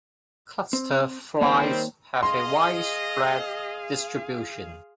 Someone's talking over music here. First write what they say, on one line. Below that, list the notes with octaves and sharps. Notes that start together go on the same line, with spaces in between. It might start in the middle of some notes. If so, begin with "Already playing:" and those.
Cluster flies have a widespread distribution.
C4
D#3 G3 A#3 C4 C#5 G5
G#4 D#5 F5 C6